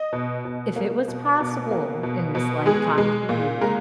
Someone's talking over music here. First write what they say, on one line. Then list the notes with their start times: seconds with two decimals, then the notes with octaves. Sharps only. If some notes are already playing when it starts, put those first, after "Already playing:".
If it was possible in this lifetime for you,
Already playing: D#5
0.13 B2
0.45 B2
0.76 A#3
1.08 B2
1.40 B2
1.71 A#3
2.03 B2
2.35 B2
2.66 G#3 G#4
2.98 G#3
3.29 A#2
3.61 G#3 A#4